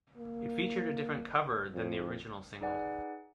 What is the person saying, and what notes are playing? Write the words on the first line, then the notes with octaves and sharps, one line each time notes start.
It featured a different cover, than the original single.
A#3
F2
D#4 G#4 B4 D5 F#5 G#5